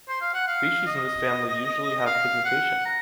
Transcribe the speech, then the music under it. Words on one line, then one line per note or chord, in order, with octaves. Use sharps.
Species in this family usually have pigmentation.
C5
F5
F#5
F5
D#5
F5
F#5
A#5